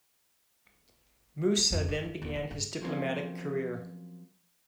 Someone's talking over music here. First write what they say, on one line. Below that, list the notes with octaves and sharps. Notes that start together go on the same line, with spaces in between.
Moussa then began his diplomatic career.
A3
F2
G2
D2
D#2
D#3
G2
F3 F#3 A#3 C4 C#4